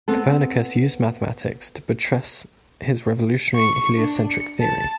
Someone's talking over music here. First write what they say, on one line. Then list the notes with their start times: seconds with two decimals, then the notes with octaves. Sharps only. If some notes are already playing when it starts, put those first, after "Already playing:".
Copernicus used mathematics to buttress his revolutionary heliocentric theory.
0.08 B3 C4 A4
3.55 C#6
3.98 D4
4.31 C#7
4.61 A5